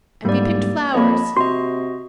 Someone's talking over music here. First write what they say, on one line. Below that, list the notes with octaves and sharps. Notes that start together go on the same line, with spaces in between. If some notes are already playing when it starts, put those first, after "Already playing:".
And we picked flowers.
D1 G#2 G3 A#3 D5
F2 A#3 C#5 D#5 A5 B5
C3 F#4 D#5 C6